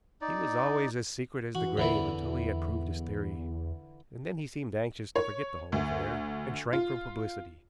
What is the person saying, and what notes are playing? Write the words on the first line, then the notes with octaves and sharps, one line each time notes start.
He was always as secret as the grave until he had proved his theory, and then he seemed anxious to forget the whole affair, and shrank from publicity.
D#4 D5
E3 F#4
E2 D3 E3 E4
C#5
D2
F4